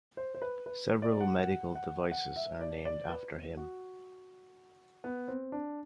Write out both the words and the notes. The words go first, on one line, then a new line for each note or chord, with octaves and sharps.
Several medical devices are named after him.
C5
C5
B4
B4
D5
F#5
F#5
F#5
F#5
E5
D5
D5
B4
F#4
B3
C4
D4